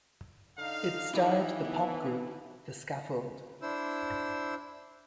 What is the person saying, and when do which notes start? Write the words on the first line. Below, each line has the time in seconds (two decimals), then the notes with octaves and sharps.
It starred the pop group The Scaffold.
0.59 D3 D#4 F5
1.13 E3 D#4 E4 G4 D#5
1.65 B3
3.62 D4 E4 C5 E6